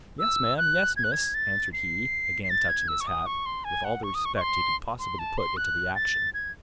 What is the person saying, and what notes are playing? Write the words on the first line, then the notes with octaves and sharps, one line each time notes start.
"Yes, ma'am; yes, miss," answered he, again touching his hat, with all the respect he could possibly put into the action.
E6
F#6
G#6
F#6
G#6
A6
C7
C7
A6
G#6
E6
C#6
D#6
C#6
C6
G#5
F#5
C#6
D#6
C#6
C#6
C6
C6
A5
C6
F#6
A6
G#6